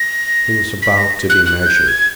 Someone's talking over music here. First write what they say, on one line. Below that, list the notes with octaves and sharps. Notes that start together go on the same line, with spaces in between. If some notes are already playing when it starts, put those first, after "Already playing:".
He was about to be measured.
Already playing: A#6
B6
A#6
F#6
F#6
G6
G#6